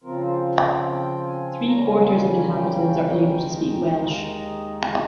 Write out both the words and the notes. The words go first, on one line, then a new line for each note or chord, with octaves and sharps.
Three-quarters of inhabitants are able to speak Welsh.
C#3 F3 C4 F4 A#4
C5
F5
G5
G5
G#5
C#3 G3 A#3 C#4 A#5
G#5
G#5
G5
D#2 D#3 G#3 D#4
F5
D#5
D#5
G#4